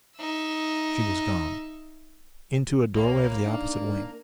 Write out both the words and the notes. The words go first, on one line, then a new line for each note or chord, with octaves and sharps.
She was gone, into a doorway of the opposite wing.
D#4 E5
C2 A#3 C#5 B5
D4 D#4 D5